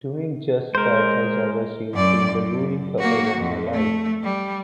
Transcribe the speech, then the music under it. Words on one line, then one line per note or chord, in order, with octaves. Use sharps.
Doing just that has ever since been the ruling purpose of my life.
G#3 A#4 C5
F#2 D5
F#2
A#3 F#4
F2
A3
G3